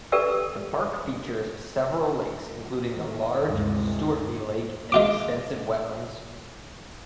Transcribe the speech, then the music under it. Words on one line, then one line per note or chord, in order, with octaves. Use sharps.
The park features several lakes including the large Stewartby Lake and extensive wetlands.
G4 A4 B4 D5 G5 E6
D#3
D2 G2 C3 E3 G#3
G#3 F4 D6